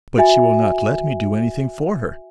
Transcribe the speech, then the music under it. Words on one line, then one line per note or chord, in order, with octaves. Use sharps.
"But she will not let me do anything for her."
F#4 E5 G#5